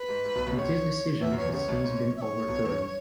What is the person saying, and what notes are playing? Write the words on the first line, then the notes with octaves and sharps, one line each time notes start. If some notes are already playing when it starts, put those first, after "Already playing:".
This decision has since been overturned.
Already playing: B4
G#2
G#2
B1 B2
B1 B2
C#2 C#3 C#5
E2 E3 E5
F#2 F#3
E2 E3 C#5
C#2 C#3 C#5
B1 B2
G#2
E5
C#5
B1 B2
E2 E3